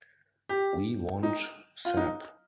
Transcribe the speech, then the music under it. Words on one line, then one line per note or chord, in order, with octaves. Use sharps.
We want Sapp!
G4
D#4
F4
D#4